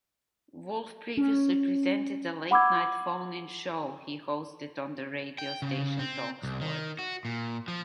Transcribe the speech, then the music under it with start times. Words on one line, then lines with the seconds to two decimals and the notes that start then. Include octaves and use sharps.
Wolf previously presented a late-night phone-in show he hosted on the radio station Talksport.
1.17 C#4
2.51 F#5 B5 D6 E6 G#6
5.38 G5
5.62 C#3
5.99 C4
6.43 C2
6.61 D#3
6.99 F#4
7.25 A#2
7.68 F3